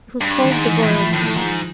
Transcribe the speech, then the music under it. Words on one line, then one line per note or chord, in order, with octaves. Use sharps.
It was called the royal chair.
G2
D#3
G#2
D#3
E3
A2
F3
A2 D#3
G#2 F3